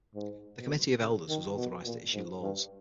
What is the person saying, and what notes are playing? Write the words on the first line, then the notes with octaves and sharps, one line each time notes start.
The Committee of Elders was authorized to issue laws.
G#2
B2
C#3
D#3
B2
A#2
G#2
G2